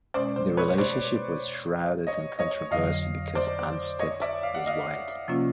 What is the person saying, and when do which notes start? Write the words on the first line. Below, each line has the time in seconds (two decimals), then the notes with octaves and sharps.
The relationship was shrouded in controversy because Anstett was white.
0.14 B2 G#3 C#4 C5 D5
0.36 C5
0.57 B4 C#5
0.78 C5 D5
2.07 C#5 D#5
2.39 C#5 D#5
2.71 F2 D3 F#3 D#5 F5
3.35 C5 D5
3.99 C#5 D#5
4.21 D5 E5
4.43 F5
4.55 F#5
4.66 D#5 F5
5.28 C3 F3 A#3 C#4 F4